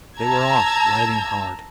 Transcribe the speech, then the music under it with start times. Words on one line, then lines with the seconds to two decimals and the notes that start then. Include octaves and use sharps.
They were off, riding hard.
0.19 A5 A#5 E6 G#6